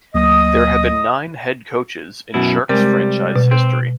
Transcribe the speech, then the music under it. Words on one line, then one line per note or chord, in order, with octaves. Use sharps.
There have been nine head coaches in Sharks franchise history.
D2 F#3 A#3 D#5 D#6
F#2 B2 E4
C3 G3 G#3 A#4
B2
C4